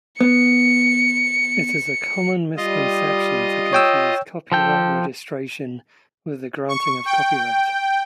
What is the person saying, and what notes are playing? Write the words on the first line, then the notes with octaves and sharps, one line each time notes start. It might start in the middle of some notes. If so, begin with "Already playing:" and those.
It is a common misconception to confuse copyright registration with the granting of copyright.
B3 C#7
G3 F4 D#5
C#5 G5 E6
F3 A4 G5
C#6
G5